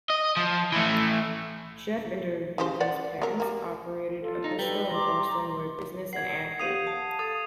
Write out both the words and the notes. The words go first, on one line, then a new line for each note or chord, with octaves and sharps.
Jef Van der Veken's parents operated a crystal and porcelain ware business in Antwerp.
D#5
F3
E3 A3
C#3 G4 C5
C5 D5 F#5
F#3 A#4
G3 A#3
F4 A4
D#4
G3 A4 B4
A#5 C6 D6
F#5 G#6 C7
G4 F5 F#5 D#6 C7 D#7
A5
A4 D#6